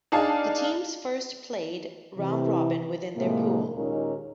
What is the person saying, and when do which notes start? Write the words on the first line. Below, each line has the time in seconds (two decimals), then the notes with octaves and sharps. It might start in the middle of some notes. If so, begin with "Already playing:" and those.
The teams first played round-robin within their pool.
0.12 D4 D#4 G#4 D5 F5 A5
2.18 C3 E3
3.16 A2 C3 F3 G#3 A#3
3.75 D#2 A#2 G#3 C#4 D#4 A#4